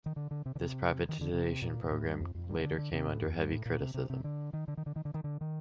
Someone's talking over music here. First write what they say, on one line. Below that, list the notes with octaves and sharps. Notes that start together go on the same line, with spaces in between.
This privatization program later came under heavy criticism.
D#3
D3
D3
C3
D3
C3
D#3
D3
C3
A#2
A#2
A2
G2
F2
F2
G2
D#3
D3
D3
C3
A2
F2
G2
A2
A#2
C3
C3
C3
D3
D#3
D3
D#3
D3
D#3
D3
D#3
D3
D#3